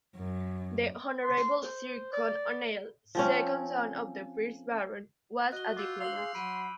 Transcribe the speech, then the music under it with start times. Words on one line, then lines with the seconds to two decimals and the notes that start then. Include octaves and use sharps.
The Honourable Sir Con O'Neill, second son of the first Baron, was a diplomat.
0.16 F#2
1.23 C6
1.64 C5
2.13 D5
3.15 F3 C4 C#4
5.52 F#4 D#5 F#6 G7
5.77 F4 D6 E6 G6
6.00 F5 C6 F7 F#7
6.15 G#4 C6
6.35 F#3 B5 D7 D#7